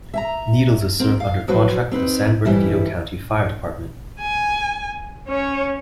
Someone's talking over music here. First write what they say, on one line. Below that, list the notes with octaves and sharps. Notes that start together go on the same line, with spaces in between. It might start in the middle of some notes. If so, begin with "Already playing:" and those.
Needles is served under contract with the San Bernardino County Fire Department.
E5 G#5 A#5
C4 A#4
F5
F3 F#3 F#4 B4 C5
C4 D#4 B4
F2 E3 G3 E4
G#5
C#4 C#5